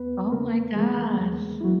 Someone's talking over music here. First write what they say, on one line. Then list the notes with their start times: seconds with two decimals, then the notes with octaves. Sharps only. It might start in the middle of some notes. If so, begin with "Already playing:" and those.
Oh my gosh.
Already playing: E2 B3 B4
0.32 C#3 A#3 A#4
0.76 E3 G#3 G#4
1.21 E2
1.61 E4
1.64 F#3 F#4